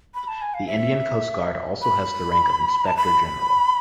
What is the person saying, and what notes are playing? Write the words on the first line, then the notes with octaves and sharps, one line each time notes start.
The Indian Coast Guard also has the rank of inspector general.
B5
A5
G#5
F5
E5
B5
A5
B5